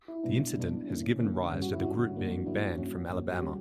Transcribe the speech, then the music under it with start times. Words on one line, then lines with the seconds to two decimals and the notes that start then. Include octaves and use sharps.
The incident has given rise to the group being "banned from Alabama".
0.08 E4
0.24 B2 G3 B3 D4 E4
0.56 B2 G3 B3 D4
0.88 D3 A#3 C#4
1.19 D3 A#3 C#4
1.51 G2 D3 G3 C#4
1.62 F#4
1.73 E4
1.82 G2 D3 G3 C#4 F#4
2.15 G2 F#3 A#3 D4
2.46 G2 F#3 A#3 D4 E4
2.62 F#4
2.78 G2 F#3 A#3 C#4
3.10 G2 F#3 A#3 C#4
3.32 F#4
3.41 D3 G3 C#4 G4